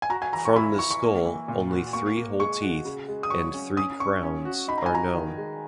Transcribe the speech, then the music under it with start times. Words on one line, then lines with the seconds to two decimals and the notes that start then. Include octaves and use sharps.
From the skull, only three whole teeth and three crowns are known.
0.02 G#5
0.10 F#4 A#5
0.22 G#5
0.33 E3 A#5
0.45 C#6
0.56 E4 B5
0.79 E4 C#6
0.91 C#6
1.02 A#3
1.25 E3
1.48 A#2
1.70 F#4
1.93 A#3 C#6
2.17 A#3
2.40 G#3 C#6
2.62 F#4
2.85 C#3
3.08 G#3
3.23 D#6
3.30 F#3 C#6
3.54 C#4
3.77 C#4 D#6
3.99 C#4 C#6
4.22 C#4
4.45 F#4
4.68 D#4 B5
4.78 A#5
4.86 G#5
4.92 F#4 A#5
5.15 D#3
5.38 G#3